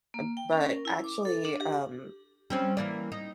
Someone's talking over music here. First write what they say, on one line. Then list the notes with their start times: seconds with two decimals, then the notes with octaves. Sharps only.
uh, but, actually, um,
0.14 A#3
0.37 G5
0.53 C#4
0.69 A#4
0.85 E4
1.04 D6
1.25 A4
1.45 D4
1.60 G4
2.50 G3 C4 C#4
2.77 E3 A#3 D5
3.12 D#4